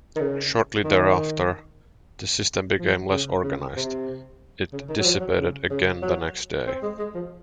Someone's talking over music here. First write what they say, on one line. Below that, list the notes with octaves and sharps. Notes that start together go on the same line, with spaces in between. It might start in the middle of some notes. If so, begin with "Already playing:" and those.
Shortly thereafter, the system became less organized; it dissipated again the next day.
D#3
C#3
D#3
F3
C#3
C#3
C3
C#3
D#3
F#3
F3
F#3
C#3
C#3
F#3
C4
G#3
G#3
F3